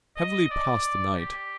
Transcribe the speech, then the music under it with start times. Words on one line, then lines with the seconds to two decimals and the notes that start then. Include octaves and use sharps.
Heavily passed the night.
0.16 D#5
0.50 D5
1.17 G4